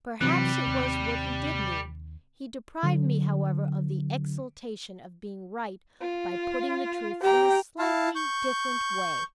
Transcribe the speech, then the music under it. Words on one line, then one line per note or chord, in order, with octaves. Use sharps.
Perhaps it was what he did mean; he deprived me however of the exultation of being right by putting the truth in a slightly different way.
C3 E3 F#3 G3 C4 F#6
D#2
D3 F#3
F4
G4 G5 A#5
E4 F5 A5
C#6 G6